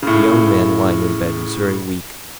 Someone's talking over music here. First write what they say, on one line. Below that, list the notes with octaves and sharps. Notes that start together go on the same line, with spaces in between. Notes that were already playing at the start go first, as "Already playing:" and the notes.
The young man lying in bed was very weak.
A2 C#3